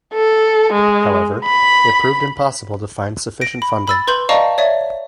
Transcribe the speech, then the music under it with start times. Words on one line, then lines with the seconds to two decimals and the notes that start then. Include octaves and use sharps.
However, it proved impossible to find sufficient funding.
0.14 A4
0.73 G#3
1.45 B5
3.41 A#6 D7
3.62 B5
3.88 B5 E6 A6
4.07 B4 C6 G6 F#7
4.29 D5 D#5 F5 A5 A#5 C#6
4.58 C#5 D5 E5